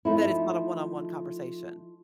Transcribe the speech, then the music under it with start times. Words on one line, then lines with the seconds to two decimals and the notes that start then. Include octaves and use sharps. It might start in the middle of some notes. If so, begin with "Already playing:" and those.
Then it's not a one-on-one conversation,
0.05 F3 A3 D#4 E4